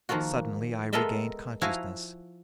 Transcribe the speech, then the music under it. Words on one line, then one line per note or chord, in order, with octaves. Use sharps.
Suddenly I regained consciousness.
D#3 F3 A#3 F4 F#4
G#3 B3 A4 A#4 D#5 E5
F3 E4 F#4 F5 G#5 A#5